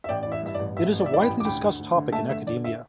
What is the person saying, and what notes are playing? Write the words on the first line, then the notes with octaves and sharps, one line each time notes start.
It is a widely discussed topic in academia.
E5
A1 D5 G5
E3 D5
E5
G2 E5
D5
A1
A1 E5
A1
D5
E5
E3 D5
G5 B5
A1
D6
D2 G5 B5
D2
D2
D3
A3 E5 A5
D3 E5
D3 D5
E5